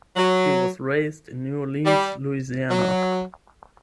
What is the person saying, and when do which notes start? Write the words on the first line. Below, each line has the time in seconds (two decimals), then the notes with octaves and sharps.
He was raised in New Orleans, Louisiana.
0.17 F#3
1.85 G3
2.70 F#3